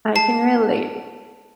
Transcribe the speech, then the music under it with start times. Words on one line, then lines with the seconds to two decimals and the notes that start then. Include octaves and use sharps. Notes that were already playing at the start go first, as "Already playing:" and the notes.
I can relate.
0.15 A5 C7